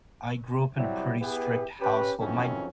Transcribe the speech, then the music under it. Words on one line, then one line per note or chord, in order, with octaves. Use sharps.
I grew up in a pretty strict household, my
C3 F#3 G3 E4
B3 E4 G4 G#4 B4
C#4 G4 B4
F2 D#3 E3 F#3 C4 C#4